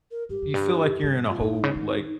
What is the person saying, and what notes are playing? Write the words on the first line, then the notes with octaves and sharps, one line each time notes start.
You feel like you're in a whole, like,
A#4
G2 G4
F2
G2
G2
F4
G2 D#4
G#2
C#3
D#3